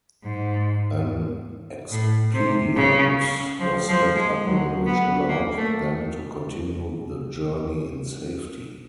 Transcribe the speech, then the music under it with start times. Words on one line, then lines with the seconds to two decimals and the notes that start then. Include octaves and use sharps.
An expedient was hit upon which allowed them to continue the journey in safety.
0.23 G#2
1.91 A2
2.34 C3
2.75 C#3
3.59 F3
3.89 F3
4.16 G#3
4.44 F#3
4.86 B3
5.28 A#3
5.57 A3